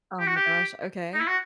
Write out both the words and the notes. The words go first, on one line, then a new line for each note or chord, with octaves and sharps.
Oh, my gosh. Okay.
G4
F#4
G4
D#4
E4
F#4